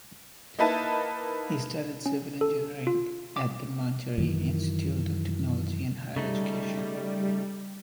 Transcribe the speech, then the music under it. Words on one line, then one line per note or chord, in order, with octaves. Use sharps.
He studied civil engineering at the Monterrey Institute of Technology and Higher Education.
A#3 D#4 E4 B4 A5
C#4
A4
F4
D6
F#2 D#3 E3
C#3 G3 A3 D#4